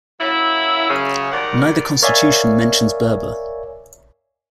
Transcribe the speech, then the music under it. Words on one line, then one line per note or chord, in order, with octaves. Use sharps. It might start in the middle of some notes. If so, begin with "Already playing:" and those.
Neither constitution mentions Berber.
F#3 A#3 C#4 E4
F#2 C#3
D#3 G3 A#4 D5 F#5
A#4 C#5 D5 E5 F5 G#5